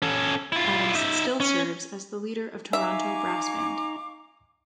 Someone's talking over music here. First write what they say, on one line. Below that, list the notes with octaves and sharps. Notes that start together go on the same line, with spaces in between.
Adams still serves as the leader of Tornado Brass Band.
C#4 A4
E4 F4
D#4 E5
C#4
D#4 E5 F5 G#5 A#5 C#6 D6